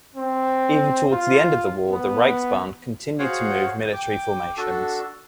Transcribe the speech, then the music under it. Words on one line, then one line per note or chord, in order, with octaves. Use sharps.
Even towards the end of the war the Reichsbahn continued to move military formations.
C4
F4
B3
F#4 G#4 C5 C#5 F5 F#5
G5 D6
D4 F#4 A4